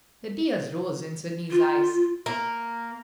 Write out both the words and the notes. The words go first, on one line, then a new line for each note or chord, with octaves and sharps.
The tears rose in Sydney's eyes.
F4
A#3